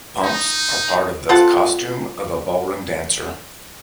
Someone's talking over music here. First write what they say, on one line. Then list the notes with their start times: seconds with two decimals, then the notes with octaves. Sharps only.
Pumps are also part of the costume of a ballroom dancer.
0.23 D#4
1.29 C4 F4 A4 F#5